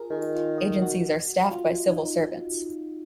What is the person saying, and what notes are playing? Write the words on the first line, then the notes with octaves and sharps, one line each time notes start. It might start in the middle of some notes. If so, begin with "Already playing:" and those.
Agencies are staffed by civil servants.
Already playing: F4 G#4 A#4
D#3 G#4
F4
D#5
F#4
F4
D#4